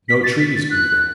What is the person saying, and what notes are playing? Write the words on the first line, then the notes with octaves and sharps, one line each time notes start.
No trees grew there.
B6
A6
B6
A6
F#6